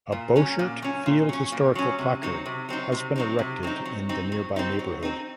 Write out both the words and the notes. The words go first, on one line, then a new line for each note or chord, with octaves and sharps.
A Borchert Field historical placard has been erected in the nearby neighborhood.
A#2
F#3 C#4
A#2
F#3 C#4
A#2
F#3 C#4
A#2
F#3 C#4
C3
F#3 C4 D#4
C3
F#3 C4 D#4
C3
F#3 C4 D#4
C3
F#3 C4 D#4
F#3
C4 D#4
F#3
C4 D#4
F#3
C4 D#4